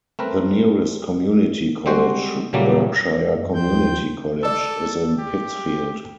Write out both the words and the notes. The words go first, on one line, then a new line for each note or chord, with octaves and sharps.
The nearest community college, Berkshire Community College, is in Pittsfield.
A3 C4 A#4 B4
G3 G#3 C4 F#4 C5
A#2 C#3 F#3 G3 A3 A#3
F#2
D#2 F3 C5 G5 G6
A4 D5 E6
G4